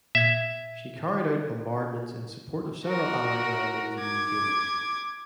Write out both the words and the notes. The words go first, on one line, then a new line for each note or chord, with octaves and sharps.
She carried out bombardments in support of several Allied landings in New Guinea.
A#2 E5 G#6
F#4 A#4
D6 G#6